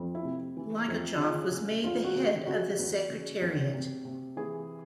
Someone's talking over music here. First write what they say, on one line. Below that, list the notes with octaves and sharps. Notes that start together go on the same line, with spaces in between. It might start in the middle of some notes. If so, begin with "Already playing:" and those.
Ligachyov was made head of the Secretariat.
Already playing: F2
E4
C3
E3
F2
C#3 F4
C#3
E2 F4
F#4
C#3
G4
C#3 F#4
E2
C#3
E2
C3
C3
E3 G#4